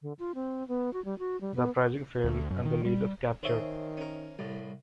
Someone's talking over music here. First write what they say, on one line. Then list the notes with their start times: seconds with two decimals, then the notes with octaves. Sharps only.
The uprising failed and the leaders captured.
0.02 D3
0.19 F4
0.35 C4
0.68 B3
0.93 F#4
1.05 G3
1.19 F#4
1.41 G3
1.56 B3
2.24 D2
2.50 F#2
2.65 D#3
2.85 G3
3.43 D#3 C4 G#4 C5 C#5 E5
3.97 C#4 A#4
4.39 C2 A2 G3